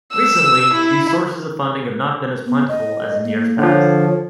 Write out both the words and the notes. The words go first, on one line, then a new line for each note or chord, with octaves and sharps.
Recently, these sources of funding have not been as plentiful as in years past.
E6
E4
B3
D#5
A#3
D3 F3 C#5